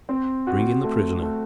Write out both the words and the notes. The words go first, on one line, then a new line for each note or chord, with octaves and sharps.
"Bring in the prisoner."
C4
F#4
A3
A3